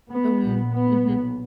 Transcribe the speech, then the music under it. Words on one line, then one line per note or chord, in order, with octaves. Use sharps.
Mm, mhm.
B3
A#1 A#2
B3
B1 A#2